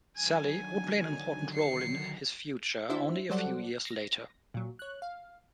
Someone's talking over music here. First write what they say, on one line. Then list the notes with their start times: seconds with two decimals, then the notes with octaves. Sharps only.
Saly would play an important role in his future only a few years later.
0.16 D3 D#3 F#3 G#5
1.54 C7 C#7
2.89 D4 E4 F#4 C5 E5
3.30 F#3 G3 A4 C5 D5 F#5
3.85 A#6
4.54 A#2 F#3
4.79 C#5 F#6
5.02 F5